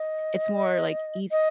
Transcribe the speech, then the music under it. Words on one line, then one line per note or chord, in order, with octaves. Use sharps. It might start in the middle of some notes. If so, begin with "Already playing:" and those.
it's more, like, easy
Already playing: D#5
D#5